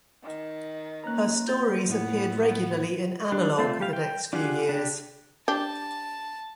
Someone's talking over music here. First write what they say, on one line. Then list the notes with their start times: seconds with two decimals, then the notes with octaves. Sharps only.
Her stories appeared regularly in "Analog" the next few years.
0.23 D#3
1.04 A#3 C#4 B4 A#5 F#6
1.48 F2 F#5 G6 A6
1.89 A2 B3
3.32 G3 D4
3.58 A3 C4 F4
3.80 G3 G4 F5
3.93 G5
4.33 D4 F4 G4 G#4 F#5
4.69 D4 G4
5.48 D4 G4 A5